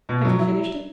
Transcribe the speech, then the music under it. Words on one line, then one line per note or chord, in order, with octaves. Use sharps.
Have you finished it?
B2
F#3
E4